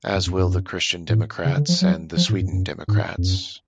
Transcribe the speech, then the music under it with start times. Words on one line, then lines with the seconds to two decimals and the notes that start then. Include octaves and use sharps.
As will the Christian Democrats and the Sweden Democrats.
0.15 F#2
0.26 F2
0.38 F#2
1.09 A2
1.45 C#3
1.57 D3
1.68 F3
1.81 F#3
2.17 F3
2.29 A2
2.41 F#2
2.52 F#2
2.88 G#2
3.18 F2
3.24 F#2